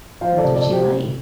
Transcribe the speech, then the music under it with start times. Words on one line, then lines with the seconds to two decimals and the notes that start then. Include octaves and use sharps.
that's what she likes.
0.21 F3 C5 F5
0.38 A4 D5
0.44 C3
0.55 A4 D5
0.66 C3
0.72 G4 C5